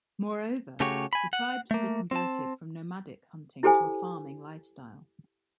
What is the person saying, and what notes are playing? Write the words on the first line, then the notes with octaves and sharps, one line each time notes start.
Moreover, the tribes would be converted from nomadic hunting to a farming lifestyle.
C#3 A3 F#4 G4 C#5
G#5 B5
F#5
A3 A#3
C4 A5
E4 G4 A4 C5 G#5